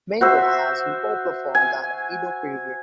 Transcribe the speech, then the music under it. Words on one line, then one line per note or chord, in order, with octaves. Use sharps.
Menko has been popular from the Edo period.
F#4 C5 E5
G#5